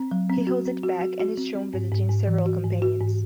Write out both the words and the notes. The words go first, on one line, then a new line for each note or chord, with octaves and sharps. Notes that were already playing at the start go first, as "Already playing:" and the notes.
He holds it back and is shown visiting several companions.
Already playing: C4
F#3
C4
F#4
C4
F#4
F#4
F#4
C4
C4
G#2
G#2
G#2
E3
F#4
G#2
F#4
G#2